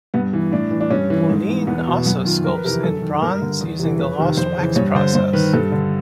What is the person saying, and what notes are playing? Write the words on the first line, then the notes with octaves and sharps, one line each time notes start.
Poulin also sculpts in bronze, using the lost wax process.
G2 B3
E3
A2 D4
E3
D4
G2 C#4
E3
G#2
E3
E2 B3
B2
F#2 B3
D#3 F4
F2 A#4
B4
C3 E3 A#4
F#2 A4
D#3
G2 A#4
D3
E2
C3 E3
F2 B4
C3 D#3
F2 C5
C#3 E3
G2 C#5
D3 C5
G2 C5
D#3 B4
G2 A4
D3